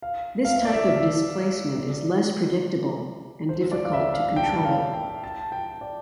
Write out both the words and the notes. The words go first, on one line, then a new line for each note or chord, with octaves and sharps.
This type of displacement is less predictable and difficult to control.
F5
F5
E5
D5
E5
E5
D5
C5
D5
F5
E5
F5
G5
A5
G5
F5
G5
A5
G5
D5